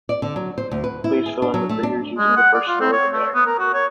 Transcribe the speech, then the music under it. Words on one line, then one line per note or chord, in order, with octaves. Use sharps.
Please fill in the figures, using the first row as a guide.
D5
D3
F#3
C5
D2
B4
E4
G#4
D4
F#3
A3
D4
G#3
F#5
D5
F4
C4
C#5
A3
B3
A#4
F#4
C#5